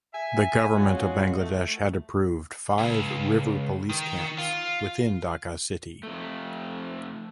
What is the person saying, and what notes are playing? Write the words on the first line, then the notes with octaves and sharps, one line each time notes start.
The government of Bangladesh had approved five River police camps within Dhaka city.
E5 G#5
G#3 C#4 F4 F#4 G#4
A3
C#2
D#3
F4
F2 A3